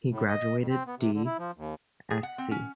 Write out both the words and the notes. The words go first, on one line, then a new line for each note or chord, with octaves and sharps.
He graduated D. Sc.
A2
D#5
F2
C4
B3
C3
D3
E4
F3
D#2
G#4
F#5
C4
C#4